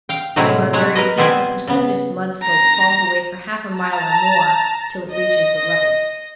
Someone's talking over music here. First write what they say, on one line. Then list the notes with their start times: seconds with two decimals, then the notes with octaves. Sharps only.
From our very feet a precipitous mud slope falls away for half a mile or more till it reaches the level.
0.09 F5 G5
0.36 A2 C3 F#3 G#3 E4 G#4
0.73 F#3 G#3 C#5 F#5
0.95 A#4 B4 D#5
1.17 B2 B3 C4 C5 D5 G#5
1.67 C#3 B3
2.43 A#5
3.66 A5 A#5
5.11 D#5